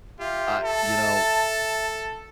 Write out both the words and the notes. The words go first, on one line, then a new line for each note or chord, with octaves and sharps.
Ah, you know,
F4 G4 E5
A4 A5